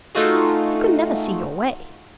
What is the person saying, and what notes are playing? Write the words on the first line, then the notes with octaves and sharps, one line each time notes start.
You can never see your way!'
A3 D#4 F4 F#4 G#4